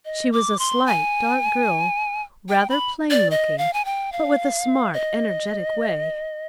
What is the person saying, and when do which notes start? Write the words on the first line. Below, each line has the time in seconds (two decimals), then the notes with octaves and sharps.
She was a slight, dark girl, rather plain-looking, but with a smart, energetic way.
0.05 D#5
0.32 D6
0.59 C6
0.86 G#5
2.49 G5
2.70 B5
3.11 D5
3.31 D#5
3.58 F5
3.73 G#5
3.85 G5
4.12 F5
4.93 D#5